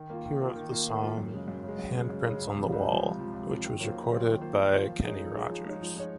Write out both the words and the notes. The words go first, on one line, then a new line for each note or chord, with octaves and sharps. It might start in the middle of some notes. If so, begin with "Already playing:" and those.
He wrote the song, "Handprints on the Wall", which was recorded by Kenny Rogers.
Already playing: D#3
A#3 F4
D#3
A#3 F4
D#3
A#3 F4
D#3
A#3 F4
F#2
C#3 G#3
F#2
C#3
G#3
F#2
C#3 G#3
F#2
C#3 G#3
C#2
C3 F3
C#2
C3 F3
C#2
C3 F3
C#2
C3 F3
D#3
F#3 A#3 F4 C5
D#3
F#3 A#3 F4 C5
D#3
F#3 A#3 F4 C5
D#3
F#3 A#3 F4 C5
F3
G#3 D#4 G#4 C#5
F3
G#3 D#4 G#4 C#5
F3
G#3 D#4 G#4 C#5
F3
G#3 D#4 G#4 C#5